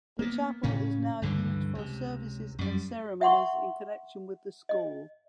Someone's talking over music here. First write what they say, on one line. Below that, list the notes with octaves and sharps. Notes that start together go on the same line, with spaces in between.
The chapel is now used for services and ceremonies in connection with the school.
A#3 B3
A2 C#3 C#4
C#2 G2 D3 E3
C#2 C3
F#2 G3
E5 F#5 C6 C#6
D#5